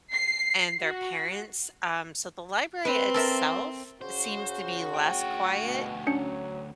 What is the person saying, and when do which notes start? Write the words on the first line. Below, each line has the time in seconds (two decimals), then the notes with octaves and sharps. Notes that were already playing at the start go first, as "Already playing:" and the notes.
and their parents, um, so the library itself seems to be less quiet
0.13 C7
0.80 F#4
2.85 C4 B4
3.14 A4 A#4 E5
4.01 C#3 F#4 C5
4.94 D2 G5
5.65 B2
6.07 F#3 C#4 D4 C#7